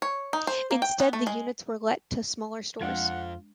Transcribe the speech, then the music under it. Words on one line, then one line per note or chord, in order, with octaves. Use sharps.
Instead the units were let to smaller stores.
C#5
D#4
C5
A#3
G5
B3
A3
G#3
F2 F3 G#3 D4 F4 F#5 G5